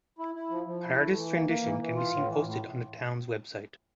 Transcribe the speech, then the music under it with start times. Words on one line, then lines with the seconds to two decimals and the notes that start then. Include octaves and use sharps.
An artist's rendition can be seen posted on the town's web site.
0.19 E4
0.35 E4
0.50 F3
0.66 F3
0.83 E4
0.99 A3
1.15 E3
1.31 A#3
1.47 A#3
1.63 E3
1.79 E3
1.96 F4
2.12 A2
2.27 E3
2.43 A2